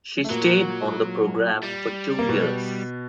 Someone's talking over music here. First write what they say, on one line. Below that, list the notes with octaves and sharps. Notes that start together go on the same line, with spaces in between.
She stayed on the programme for two years.
A3
A#2 F#3 A#3
G3
A#3
B2 B3